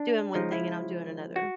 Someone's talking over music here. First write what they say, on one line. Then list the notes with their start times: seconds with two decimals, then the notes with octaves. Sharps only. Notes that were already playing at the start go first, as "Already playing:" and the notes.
doing one thing and I'm doing another.
Already playing: D4
0.34 C#3 F3 G#3 D#4
0.52 E4
1.36 F#4